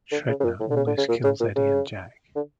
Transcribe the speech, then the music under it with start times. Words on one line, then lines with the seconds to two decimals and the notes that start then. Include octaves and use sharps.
Sredna almost kills Eddie and Jack.
0.12 D3
0.29 C#3
0.40 C#3
0.45 A#2
0.60 A2
0.70 D3
0.76 C#3
0.87 D3
0.98 C#3
1.09 A#2
1.24 C#3
1.40 A#2
1.56 C#3
2.36 D3